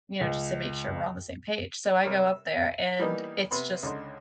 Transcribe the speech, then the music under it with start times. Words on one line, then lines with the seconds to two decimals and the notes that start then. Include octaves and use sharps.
you know, just to make sure we're on the same page," so, I go up there, and it's just
0.21 C#2
2.04 C3 G3 A#4 C#5
2.27 E6
2.99 E3 G3 A#3 B3 D#4
3.51 C3 B3 B5 C6
3.83 C#2 D3 D#4 C6